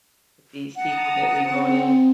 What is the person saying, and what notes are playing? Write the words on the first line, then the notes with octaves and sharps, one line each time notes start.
with these people that we vote in.
F#5 A5 A#5 D#6
C4